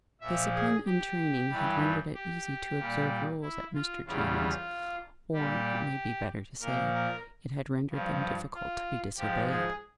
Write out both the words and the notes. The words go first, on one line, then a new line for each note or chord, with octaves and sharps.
Discipline and training had rendered it easy to observe rules at Mr. Channing's; or, it may be better to say, it had rendered them difficult to be disobeyed.
A#2 F3 E5
G#4
G4
G2 E3 G3
G4
A#2 G3
E4
F4
E2 C#3 G3 F4
A#2 G3 G4
A#2 F3 A#4
A#4
G2 F3
F4
G#2 F3 G4
G#4